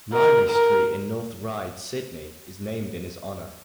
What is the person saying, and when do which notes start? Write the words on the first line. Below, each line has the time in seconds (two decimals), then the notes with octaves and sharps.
Ryrie Street in North Ryde, Sydney is named in his honour.
0.13 A#4
0.50 A#4